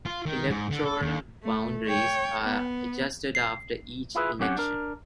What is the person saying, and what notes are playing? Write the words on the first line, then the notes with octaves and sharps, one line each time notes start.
Electoral boundaries are adjusted after each election.
F4
D#3
G#2
D3
A4
D#2
A3
C#5 G5
B3
C7
E4 F4 G#4 B4
F#3 C4 C#4 G4 F#5
D4 A#4